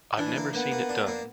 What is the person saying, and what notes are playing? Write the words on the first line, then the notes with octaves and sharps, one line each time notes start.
I've never seen it done.
E3 D4
A#3
A#3 B3
A#3
D4
A#3